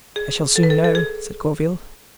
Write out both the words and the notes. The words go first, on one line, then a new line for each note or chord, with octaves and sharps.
"I shall soon know," said Gourville.
G#4
A4
B4
A4
A4
G#4